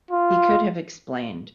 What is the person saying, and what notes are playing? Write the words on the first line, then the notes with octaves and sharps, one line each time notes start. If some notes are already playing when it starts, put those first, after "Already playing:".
He could have explained.
F4